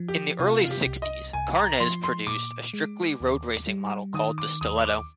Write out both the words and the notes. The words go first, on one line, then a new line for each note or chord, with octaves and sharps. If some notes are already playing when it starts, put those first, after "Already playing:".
In the early Sixties, Carnes produced a strictly road-racing model called the Stiletto.
Already playing: F3
G4
C3 F4
F4
G4
C2
D#5
C2 G#5
A#5
F3 C6
C6
A#2 D6
G#3
D#2
G3
D#3 D#6
D6
D#2 D#6
D6